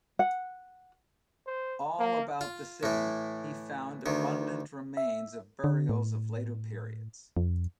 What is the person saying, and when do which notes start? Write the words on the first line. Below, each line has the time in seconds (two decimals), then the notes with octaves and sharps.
All about the city he found abundant remains of burials of later periods.
0.19 F#5
1.46 C5
1.99 A#3
2.41 F4
2.83 A2 E3
4.06 D2 D#3
4.97 E5
5.64 D3
5.89 A2
7.37 F2